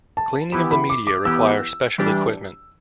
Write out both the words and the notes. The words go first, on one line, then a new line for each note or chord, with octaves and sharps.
Cleaning of the media requires special equipment.
A5
E3 B3 E4 G4 B5
B5
D6
D6
E3 B3 E4 G4 E6
E3 G3 D4 G4